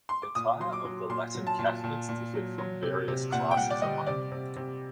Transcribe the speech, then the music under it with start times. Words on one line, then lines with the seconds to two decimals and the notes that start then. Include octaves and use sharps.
The Attire of the Latin Catholics differed from various classes among them.
0.09 C6
0.22 D6
0.35 A#2 D#6
0.60 F#3 C6
0.73 D6
0.85 F#3
1.09 A#2 C6
1.35 F#3
1.47 A5
1.59 A#2
1.84 A#2
2.09 A#2
2.34 F#3
2.58 F#3
2.82 C3
3.08 C3
3.32 A#2 F#5
3.51 G5
3.57 G3 F#5
3.70 D5
3.82 G3 D#5
4.06 C3 D5
4.32 C3
4.56 C3